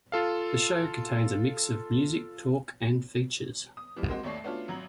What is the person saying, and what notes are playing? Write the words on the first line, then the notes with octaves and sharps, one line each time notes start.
The show contains a mix of music, talk and features.
F4 A4 F5
D#6
E3 F3 G3
G#3 A#3 C4 F#4
G#1 D#2 A3 C#5 D5 C7
A3 B3 C#4 D4 F4 F#4
G#1 F#3 A#5 G#6 F#7